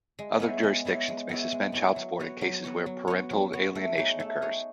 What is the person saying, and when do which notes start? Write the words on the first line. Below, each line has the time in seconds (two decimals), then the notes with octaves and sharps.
Other jurisdictions may suspend child support in cases where parental alienation occurs.
0.19 G#3
0.40 B3 E4 G#4 C#5
0.63 G#3
0.85 B3 E4 G#4 C#5
1.08 G#3
1.29 B3 E4 G#4 C#5
1.52 G#3
1.72 B3 E4 G#4 C#5
1.96 F#3
2.20 B3 F#4 C#5
2.41 F#3
2.64 B3 F#4 C#5
2.86 F#3
3.08 B3 F#4 C#5
3.30 F#3
3.53 B3 F#4 C#5
3.75 A3
3.97 D#4 G#4 C#5
4.20 A3
4.42 D#4 G#4 C#5